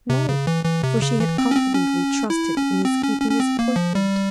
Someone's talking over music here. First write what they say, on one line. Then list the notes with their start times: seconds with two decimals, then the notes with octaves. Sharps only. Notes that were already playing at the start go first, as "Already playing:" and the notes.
No; for she had confidently trusted in his keeping his appointment.
0.10 C3
0.29 C#3
0.47 E3
0.65 E3
0.83 C3
1.02 C#3
1.20 E3
1.38 C4
1.51 C#4
1.56 C4
1.74 C#4
2.30 E4
2.57 C#4
2.85 C4
3.03 C#4
3.21 C#4
3.31 C#4
3.40 C4
3.59 A#3
3.76 F3
3.95 G3